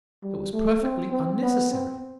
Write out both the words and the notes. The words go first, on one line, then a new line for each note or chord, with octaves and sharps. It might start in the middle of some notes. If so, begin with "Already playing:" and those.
It was perfectly unnecessary.
G3
A3
C4
C4
B3
C4